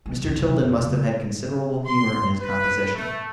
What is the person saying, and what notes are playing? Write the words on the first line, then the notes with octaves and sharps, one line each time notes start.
Mr. Tilden must have had considerable humor in his composition.
G#3
B1 E2
C3 B3
F2
C#3
C6
B4
A3